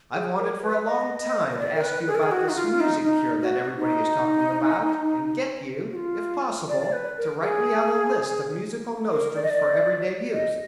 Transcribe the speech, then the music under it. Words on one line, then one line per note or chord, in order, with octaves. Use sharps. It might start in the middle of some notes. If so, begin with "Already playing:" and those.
I've wanted for a long time to ask you about this music cure that everybody is talking about, and get you, if possible, to write me out a list of musical nostrums for every-day use.
G#4
A#4
B4
D#5
B4
D5
A#4
B4
G#4
A#4
G#4
F#4
D#4
F4
F4
D#4
D#4
F#4
D#4
F#4
F4
D5
D5
B4
A#4
G#4
A#4
D5
D#5
D5
D#5